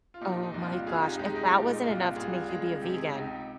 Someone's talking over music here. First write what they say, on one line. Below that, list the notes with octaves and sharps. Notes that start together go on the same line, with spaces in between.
Oh my gosh, if that wasn't enough to make you be a vegan.
F4
A#2 D#4 G4
D#4
C2
F4
C2 F4 G#4
D#4 G4
G#3 D#4 G4
D#4 G4
F4
A#2 D#4
C2 F4
C2 F4 G#4
G#3 F4 G#4
C3 G4
G#4
D#4 G4
C#2